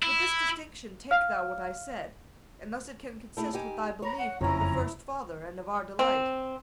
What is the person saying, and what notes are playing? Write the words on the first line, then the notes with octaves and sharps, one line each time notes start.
With this distinction take thou what I said, And thus it can consist with thy belief Of the first father and of our Delight.
E4
F5 F6
A3 E4 G#4
D#4 G4 G#5
C#5 A#5 B5
F#5
F#1 F2 C3 F3 C#4 E4 A#5
C4